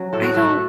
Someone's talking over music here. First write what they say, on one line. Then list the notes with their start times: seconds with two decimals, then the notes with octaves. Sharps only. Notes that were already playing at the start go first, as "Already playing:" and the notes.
I don't
Already playing: F#3 C#4
0.13 A2 A4
0.23 F#4
0.34 A3 A4